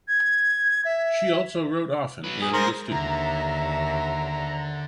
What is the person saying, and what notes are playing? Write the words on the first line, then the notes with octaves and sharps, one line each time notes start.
She also wrote often in ‘The Student’.
G#6
E5
F#3 B4
G#4
G#2 A#4 C5
D#2 D3 E5 A#5